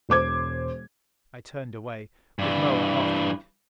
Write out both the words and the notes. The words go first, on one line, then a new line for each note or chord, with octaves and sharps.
I turned away, with Moa after me.
E1 C5 D6 G#6
G2 E3